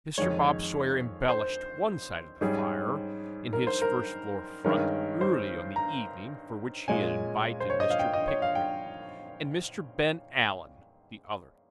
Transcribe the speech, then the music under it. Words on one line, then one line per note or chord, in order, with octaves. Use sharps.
Mr. Bob Sawyer embellished one side of the fire, in his first-floor front, early on the evening for which he had invited Mr. Pickwick, and Mr. Ben Allen the other.
F2 D#3 G#3 C#5
C5
G#2 G3 C#4 G#4
A#4
C5
A#4
G2 D#3 G#3 C#4 A#4
C5
A#5
A#2 G#3 C#4 G#5
C5
C#5
D#5
F5
G5
D#5
C#5
F5
G5